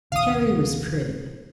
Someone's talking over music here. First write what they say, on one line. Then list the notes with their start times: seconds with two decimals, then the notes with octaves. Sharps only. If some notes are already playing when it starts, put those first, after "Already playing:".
Carrie was pretty.
0.12 A#1 D#2 C3 F5 D#6